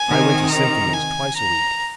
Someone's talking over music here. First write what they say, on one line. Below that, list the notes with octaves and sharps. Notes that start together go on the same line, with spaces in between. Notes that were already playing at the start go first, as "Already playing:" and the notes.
I went to symphonies twice a week.
Already playing: G#5
C3 D#3
A#5
G#5
A#5